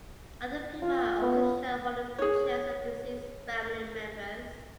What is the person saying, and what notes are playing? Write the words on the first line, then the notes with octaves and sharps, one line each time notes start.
Other people are also shown holding pictures of deceased family members.
F4
B3
G#4 C#5